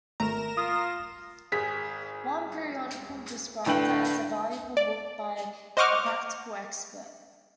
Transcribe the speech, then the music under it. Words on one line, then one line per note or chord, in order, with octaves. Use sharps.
One periodical described it as a valuable book by a practical expert.
G#1 A3 A#4 A#5 A#6 E7
F4 D#6
G#1 G#4 B6
A2 D3 B4 G5 F#7
D5
C5 D#5 F#5 C#6 D6 F6